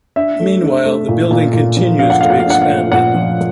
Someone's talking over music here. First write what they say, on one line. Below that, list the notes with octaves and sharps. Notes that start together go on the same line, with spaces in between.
Meanwhile, the building continues to be expanded.
D4 E5
A3
D4
A3
A#2
A#2
A#2
F3
D4 F5
F#5
A3 F5
F#5
F5
D4 F#5
F5
A3
A#2 F#5
F3